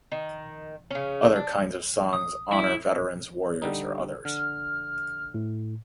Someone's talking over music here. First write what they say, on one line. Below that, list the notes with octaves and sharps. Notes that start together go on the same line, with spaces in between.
Other kinds of songs honor veterans, warriors or others.
D#3
C#3 C#4
D4
D#6
E4
D3 G3 D#4
D3 F6
A2